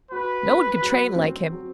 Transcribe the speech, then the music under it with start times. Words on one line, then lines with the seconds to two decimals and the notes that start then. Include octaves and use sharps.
No one could train like him.
0.11 F#4 B4
0.46 C4
0.82 F#3
1.16 C4
1.52 F#3